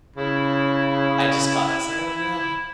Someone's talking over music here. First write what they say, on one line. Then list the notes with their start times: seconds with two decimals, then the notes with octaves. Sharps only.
I just got I was like, "Oh no."
0.16 C#3 E4